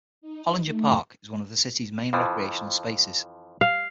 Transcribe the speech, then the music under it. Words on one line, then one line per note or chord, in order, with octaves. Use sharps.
Hollinger Park is one of the city's main recreational spaces.
D#4
A3
F2 E3 F3
F5